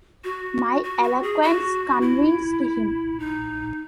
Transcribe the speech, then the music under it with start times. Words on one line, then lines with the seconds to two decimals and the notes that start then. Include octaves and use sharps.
My eloquence convinced him.
0.24 F#4
0.83 F#4
1.03 F#4
1.23 G#4
1.42 F#4
2.01 E4
3.20 D#4